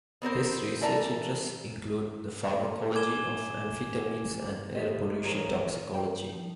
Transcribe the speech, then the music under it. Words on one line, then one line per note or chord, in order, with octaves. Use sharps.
His research interests include the pharmacology of amphetamines and air pollution toxicology.
B3 C4 A#4 C5
E3 A#4 D5 A5 A#5
G#5 D6 G#6 E7 G7
A3 G4 C5 D#5
E3 F#3 G#4 A#4 C5 C#5
G5
F3 D#4